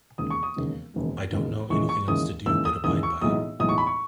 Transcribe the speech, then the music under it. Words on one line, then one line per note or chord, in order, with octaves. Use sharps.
I don't know anything else to do but abide by it.
E1 D#2 C#3 G#3 D#6
C#6
D#6
E1 D#2 C#3 G#3
E1 D#2 C#3 G#3
E1 D#2 C#3 G#3
D#2 C#3 E3 G#3 C#6
C#6
D#2 C#3 E3 G#3 D#6
D#2 C#3 E3 G#3 E6
D#6
D#2 C#3 E3 G#3 D#6
C#6
B1 A2 E3 G#3 B3 D#6
B1 A2 E3 G#3 B3 D#6
C#6
B5
C#6